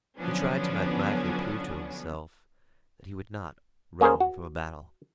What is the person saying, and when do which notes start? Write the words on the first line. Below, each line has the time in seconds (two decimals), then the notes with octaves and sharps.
He tried to mathematically prove to himself that he would not run from a battle.
0.19 D3 F3 F#3 B3 C#4 D4
4.01 A#3 C#4 G#4 A#4 C5
4.20 F#4